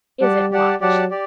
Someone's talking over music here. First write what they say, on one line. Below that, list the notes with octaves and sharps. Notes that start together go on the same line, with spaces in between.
"Is it, Watch?"
G3 G4 D5 F#5 A5
G4 D5 F#5 A5
F#3 G4 D5 F#5 A5
G4 D5